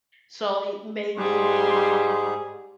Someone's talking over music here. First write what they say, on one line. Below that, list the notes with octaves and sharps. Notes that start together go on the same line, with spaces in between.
So it may give I
G#2 G3 G#4 C6